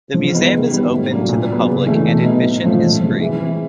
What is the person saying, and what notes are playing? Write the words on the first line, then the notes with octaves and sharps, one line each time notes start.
The museum is open to the public and admission is free.
F3
G#3 B3 D#4
D#3
G3 B3
A2
F#3 A#3 D4
A#2
F#3 B3
C#3
E3 A3
B2
F#3 B3 D#4
A2
F3 A3 C#4 F4
A#2
F3 G#3
E3
G#3 C4